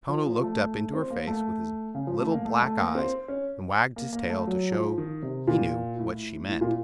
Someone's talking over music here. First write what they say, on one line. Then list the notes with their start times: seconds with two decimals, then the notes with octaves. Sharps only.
And Toto looked up into her face with his little black eyes and wagged his tail to show he knew what she meant.
0.09 F3
0.26 F3
0.43 A3
0.94 C4
1.10 A#3
1.27 A3
1.95 C#3
2.07 F3
2.19 A3
2.32 A#3
2.45 A3
2.62 A3
2.79 A#3
2.95 C4
3.28 C#4
3.96 A#3
4.13 A#3
4.30 A3
4.47 F#3
4.72 F3
4.98 D#3
5.23 C3
5.48 A#2
5.98 A2
6.48 A2
6.61 A#2